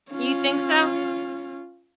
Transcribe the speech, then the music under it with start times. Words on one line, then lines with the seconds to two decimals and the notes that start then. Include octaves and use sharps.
You think so?
0.11 C#4 F4